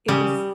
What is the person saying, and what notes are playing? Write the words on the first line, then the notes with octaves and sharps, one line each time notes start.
it was
C#3 G3